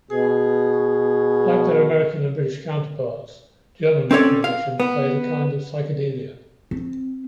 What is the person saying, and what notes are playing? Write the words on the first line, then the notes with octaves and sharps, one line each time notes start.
Like their American and British counterparts, German rock musicians played a kind of psychedelia.
B2 G#4
C4 C#4 A4 C#5 D5
F5
B3
C4